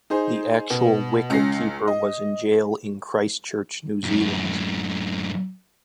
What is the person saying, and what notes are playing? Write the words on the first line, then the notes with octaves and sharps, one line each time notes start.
The actual wicket-keeper was in Jail in Christchurch, New Zealand.
D#4 G#4 C5
B2
C#2 C#4 A#6 C7
D#5
F#2 A2